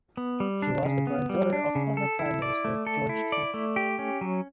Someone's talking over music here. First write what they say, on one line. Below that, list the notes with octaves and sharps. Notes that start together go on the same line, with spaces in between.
She was the granddaughter of former Prime Minister George Canning.
B3
G3
D4
C#3
B3
G3
D4
C#3
A4
E4
D5
A3
A4
E4
D5
A3
G4
C#4
F#3